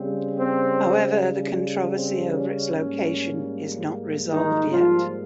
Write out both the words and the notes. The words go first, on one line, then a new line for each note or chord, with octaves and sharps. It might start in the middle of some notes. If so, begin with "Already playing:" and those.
However, the controversy over its location is not resolved yet.
Already playing: C#3 G3 C4
C4
C4
C#4
G#2 G3 A#3
D#3 D#4
F3 F4